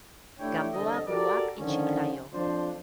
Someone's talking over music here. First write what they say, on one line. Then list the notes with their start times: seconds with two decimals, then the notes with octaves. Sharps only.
Gamboa grew up in Chiclayo.
0.39 A3 D4 E4 G4 C#5 G5
0.73 C2 D3 A4 D#5
1.07 F#4 G4 A4 A#4 D5
1.58 D3 D#3 F3 C#4
2.32 F2 F3 D4 C5